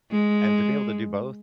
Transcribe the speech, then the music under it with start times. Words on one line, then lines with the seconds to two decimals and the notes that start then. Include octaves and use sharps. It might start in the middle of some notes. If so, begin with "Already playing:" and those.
and to be able to do both
0.11 G#3